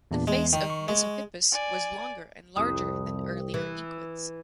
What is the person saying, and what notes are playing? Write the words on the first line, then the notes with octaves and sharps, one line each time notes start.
The face of "Mesohippus" was longer and larger than earlier equids.
E2 A#2 D4
E2 G#3
D#3 G5
C#6
G#3
D5 G#5
C2 F2 D#6
E3